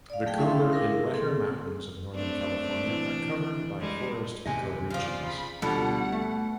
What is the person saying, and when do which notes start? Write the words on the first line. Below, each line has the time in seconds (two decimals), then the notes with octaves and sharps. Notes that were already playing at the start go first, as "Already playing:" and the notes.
The cooler and wetter mountains of northern California are covered by forest ecoregions.
0.10 D5 F5
0.26 F#3 A3 G#4 F5 G5
0.38 C#4 E4 A4 E5 F5 C6
0.72 D4 E4 G#4 A#4 F5
1.14 C4 G#4 A4
2.15 A3 C4 D4 D5
2.85 E3
3.80 G3 G#3
4.46 D#2 C3 D#5 G#5
4.90 C#3 F3 F4 D5
5.26 B5
5.62 D2 B2 G3 D4 F4 A4 F#5
6.12 A3